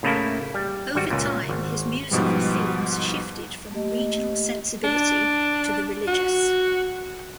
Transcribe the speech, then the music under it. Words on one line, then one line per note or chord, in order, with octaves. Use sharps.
Over time, his musical themes shifted from a regional sensibility to the religious.
A2 C#3 A3 A#3 C#4 E4
G3
G#1 G3 F#4
C#2 A#2
G#1
G#2 B2 F3 G3
A3 A#3 G4 D#5
D4
F#4